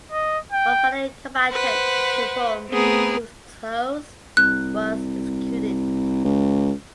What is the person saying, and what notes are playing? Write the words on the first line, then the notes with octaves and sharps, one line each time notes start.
One fellow combatant to whom she was close was executed.
D#5
G5
B4 C5 F#5
A3 B3 C4 G#4 A#4 B4
C2 F#6
C#2